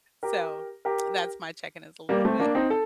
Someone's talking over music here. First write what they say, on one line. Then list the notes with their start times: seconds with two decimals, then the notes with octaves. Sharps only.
So, that's my check-in is a little bit,
0.23 G4 A#4
0.85 G4 A#4
2.09 G3 A#3
2.24 A3 C4
2.40 A#3 D4
2.55 C4 D#4
2.70 A4